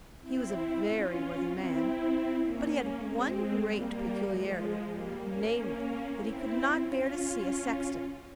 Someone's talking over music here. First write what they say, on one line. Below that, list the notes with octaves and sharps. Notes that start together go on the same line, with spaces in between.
He was a very worthy man; but he had one great peculiarity--namely, that he could not bear to see a sexton.
C4 E4
C#4 F4
C4 E4
A#3 C#4
G#3 C4
G3 A#3
F3 G#3
G3 A#3
A#3 C#4
A#3 C#4
C4 E4
C#4 F4